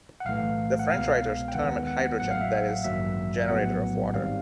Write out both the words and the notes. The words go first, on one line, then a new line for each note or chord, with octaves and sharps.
The French writers term it hydrogen, that is, generator of water.
F#5
B1 A2 E3 A3 F5
F#5
C2 B2 G#3 B3 F5
G5
D#2 D#3 G#3 B3 F#5
F#5
A1 A2 F#3 A#3 F#5
F5
E5
A1 G2 D#3 F#3 A#3 E5
A#1 A2 F#3 B3 F#5
G#1 G#2 D#3 G3 C4 F5